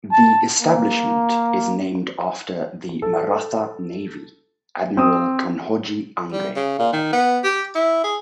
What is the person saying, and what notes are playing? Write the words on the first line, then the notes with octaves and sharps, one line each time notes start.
The establishment is named after the Maratha Navy Admiral Kanhoji Angre.
A5
A#3
A4
C4 D#6
G3
C#3
A#2
D#3
B3
G4
E4
G#4